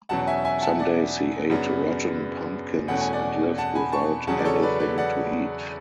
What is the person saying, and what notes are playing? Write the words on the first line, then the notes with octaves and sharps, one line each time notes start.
Some days he ate rotten pumpkins and lived without anything to eat.
E2 B2 F#3 C#4 F#5 A5
E5 G#5
E5 G#5
F#5 A5
D5 F#5
F#2 C#3 F#3 B3 D4
E2 B2 A3 C#4 F#5
G#5
D5 F#5
F#5 A5
G#5 B5
A5 C#6
E2 C#3 F#3 C#4 F#5 A5
D5
A4 C#5
B4 D5
B4 D5
D5 F#5